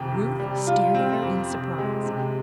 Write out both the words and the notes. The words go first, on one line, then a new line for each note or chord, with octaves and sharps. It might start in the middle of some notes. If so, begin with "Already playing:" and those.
Ruth stared at her in surprise.
Already playing: F2 C3 D#3
C3
G3
F4
C4
F2
C3
G#3
C3